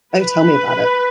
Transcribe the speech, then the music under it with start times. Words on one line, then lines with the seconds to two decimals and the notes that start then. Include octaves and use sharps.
Oh, tell me about it!
0.15 B4